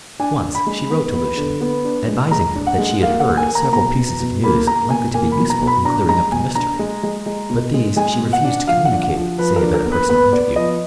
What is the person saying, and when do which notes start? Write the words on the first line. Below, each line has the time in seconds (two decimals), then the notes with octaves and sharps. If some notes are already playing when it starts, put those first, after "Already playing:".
Once she wrote to Lucian, advising him that she had heard several pieces of news likely to be useful in clearing up the mystery; but these she refused to communicate save at a personal interview.
0.20 D4 G#5
0.43 D4
0.55 B5
0.66 G#3
0.90 B3
1.14 B3
1.37 D3
1.61 B3
1.84 D4
2.08 G#3
2.31 G#3 A#5
2.55 D4
2.67 F#5
2.78 G#3
3.02 A#3 F5
3.20 F#5
3.26 A#3
3.37 G#5
3.49 A#3
3.55 A#5
3.72 B2 A#5
3.96 B2
4.20 B2
4.44 A#3 B5
4.67 A#3 A#5
4.90 B2 G#5
5.14 A#3 G#5
5.32 B5
5.38 B2
5.50 A#5
5.62 B2
5.67 B5
5.85 D4 A#5
6.09 G#3 A#5
6.32 B2 G#5
6.55 D4 A#5
6.79 G#3
7.03 G#3
7.26 G#3
7.50 B2
7.74 G#3
7.96 G#3 G#5
8.20 B2
8.33 F#5
8.44 D4
8.67 F3 F5
8.85 F#5
8.91 D4
9.03 F#5
9.15 F3
9.38 F3 B4
9.56 A#4
9.62 D4
9.74 A#4
9.85 B3
9.92 B4
10.09 B3 B4
10.32 B3 D5
10.56 F3 D#5